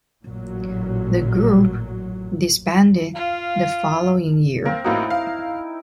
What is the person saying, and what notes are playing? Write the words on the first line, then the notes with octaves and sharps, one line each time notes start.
The group disbanded the following year.
A1 A#2 F#3
F4 F5
A#3 C4 A#4
A1 A#3 D#4 E4 F#4 A#4
F5